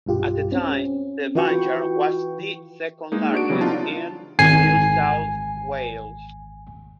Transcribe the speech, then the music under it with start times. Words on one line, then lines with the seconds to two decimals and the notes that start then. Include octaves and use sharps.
At the time the vineyard was the second largest in New South Wales.
0.06 B1 G2 F4 G4
0.52 C4 C#4
1.35 E3 F4 F#4 B4 G5 C#6
3.12 G#3 A#3 D#4
3.33 D4 F#4 D7
3.49 C#3 E3 F#3 G3 B3 C4
3.61 B3 D4 D#4 F4 A5
4.39 G#1 G#5 C7